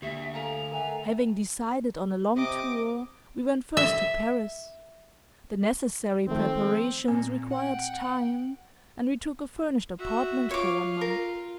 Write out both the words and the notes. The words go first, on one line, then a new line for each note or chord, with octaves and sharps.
HAVING decided on a long tour, we went first to Paris; the necessary preparations required time and we took a furnished apartment for one month.
D2 A#3 G4 E5
A4 F5 G#5 A#5
A4 A#4 E5 F#5 G#5
C3 D#5 D6
E5
D#3 F3 A3 C4
A#2 C4 G#5
F#5 G5
F#4 E5
F4 C#5 D6
A#4